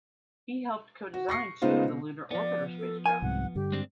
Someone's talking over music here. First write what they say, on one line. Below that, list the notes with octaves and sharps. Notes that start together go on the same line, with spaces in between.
He helped co-design two of the Lunar Orbiter spacecraft.
F#4
C#6 A#6 C7 C#7
C#3 G#3 B3 D#4 F4 C5
B2
F3 B3 D5
A4
A#4 G#5
C2 G#2 C3 F#5
G2 D3 G4
G#3 C4 D4